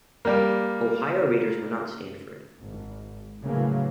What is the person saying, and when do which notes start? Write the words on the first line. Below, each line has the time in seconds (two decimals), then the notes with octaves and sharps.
Ohio readers would not stand for it.
0.25 G3 A#3
2.59 G#1
3.43 A2 C#3 E3 F#3 A3 A#3